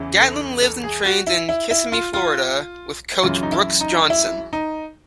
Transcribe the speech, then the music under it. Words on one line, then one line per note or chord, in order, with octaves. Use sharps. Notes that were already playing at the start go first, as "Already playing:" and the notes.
Gatlin lives and trains in Kissimmee, Florida with coach Brooks Johnson.
Already playing: E2 C#3 E3
A4
A4
G#4
F#4
E4
E4
E4
F4
F4
F#2 C#3 E3 F4
D#4
E4
D#4
E4
D#4